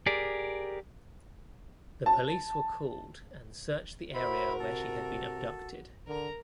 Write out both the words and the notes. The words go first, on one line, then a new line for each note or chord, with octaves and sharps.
The police were called and searched the area where she had been abducted.
G4 G#4 A#4 D5
A5
E4 F#4 A#4 C5 B5
C3 A4
D3 A#4 A#5